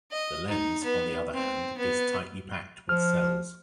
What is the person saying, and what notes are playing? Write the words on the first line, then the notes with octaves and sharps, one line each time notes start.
The lens, on the other hand, is tightly packed with cells.
D#5
D#4
B3
C4
B3
F3 F6